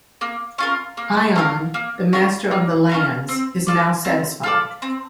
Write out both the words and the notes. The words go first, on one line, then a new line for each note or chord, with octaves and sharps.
Ion, the master of the lands, is now satisfied.
A#3
C#4 F4 A#4
A#3
C#4 F4 A#4
A#3
C#4 F4 A#4
A#3
C#4 F4 A#4
C4
F4 A4 D5
C4
F4 A4 D5
C4